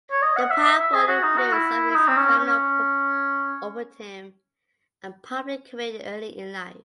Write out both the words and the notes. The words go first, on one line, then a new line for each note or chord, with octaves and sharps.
The powerful influence of his family opened him a public career early in life.
C#5
D#5
F#5
E5
D#5
E5
E5
G#4
F#4
D#4
F#4
E4
E4
D#4
C4
C#4
C#4